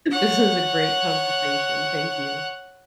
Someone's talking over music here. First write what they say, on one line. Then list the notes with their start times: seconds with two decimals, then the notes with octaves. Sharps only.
this is a great conversation. Thank you.
0.11 C#5 F#5